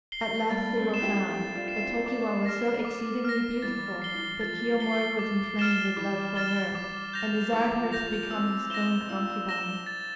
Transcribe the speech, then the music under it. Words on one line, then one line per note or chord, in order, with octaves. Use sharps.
At last they were found; but Tokiwa was so exceedingly beautiful that Kiyomori was inflamed with love for her, and desired her to become his own concubine.
C7 G7
G3 A#3 A6
A3 C4
C7 E7
E4 G4
E4 G4 A6
D4 F4
C7 E7
C4 E4
A#3 D4 D6
F6 A#6
D6
F6 A#6
E3 G3 A6
C7 G7
E3
F3 A6
C7 G7
D6
F6 A6 E7 G7
E3 G3 D6
F6 A6 E7 G7
D6
G6 A#6 F7
E3 D6
F3
G6 A#6 F7
F3 A3
C4 E4 E6
C4 E4 A#6 E7 G7
D4 F4 E6
A#6 E7 G7
A6